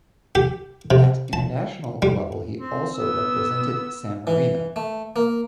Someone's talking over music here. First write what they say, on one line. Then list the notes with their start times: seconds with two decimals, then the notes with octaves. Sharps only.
At international level, he also represented San Marino.
0.35 G4
0.91 C3
1.33 A5
2.02 G3
2.58 C4
2.97 B3 E6
4.27 E3
4.76 A3
5.16 A#3